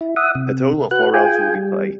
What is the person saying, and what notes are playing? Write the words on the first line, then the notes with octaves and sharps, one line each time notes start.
A total of four rounds will be played.
E4
E5 F#5 D#6
C3
F#4 B4 F#6
F4 G#4 G5 G#5
G3